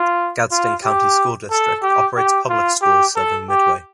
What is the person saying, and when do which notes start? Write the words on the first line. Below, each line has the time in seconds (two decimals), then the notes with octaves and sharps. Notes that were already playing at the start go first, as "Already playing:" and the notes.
Gadsden County School District operates public schools serving Midway.
Already playing: F4
0.52 F4
0.84 G4
1.51 A4
1.83 G4
2.17 G4
2.50 F4
2.82 G4
3.16 A4
3.49 G4